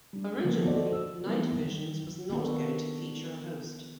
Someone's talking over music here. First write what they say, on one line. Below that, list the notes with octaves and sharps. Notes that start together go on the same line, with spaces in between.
Originally, "Night Visions" was not going to feature a host.
G3 D4
D3 D#3 F3 A#3 B3 E4
F#4 A4 C5 D5 D#5
E6
E3 F#3 G3 A#3 B3 E4
D#3 F#3 G3
D#3 A#3 B3 D4 F#4 A4